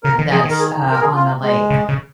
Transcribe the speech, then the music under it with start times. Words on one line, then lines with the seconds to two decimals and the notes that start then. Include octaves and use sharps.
that's, uh, on the lake.
0.04 C#3 A#4
0.19 D#3
0.32 F3 G#4
0.45 D#3
0.51 A#4
0.59 G#4
0.92 A#4
1.01 G#4
1.15 F4
1.42 G#3
1.70 C#3
1.89 C#3